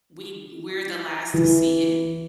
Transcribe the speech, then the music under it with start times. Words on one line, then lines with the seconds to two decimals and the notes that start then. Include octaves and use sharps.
we we're the last to see it?
1.34 E3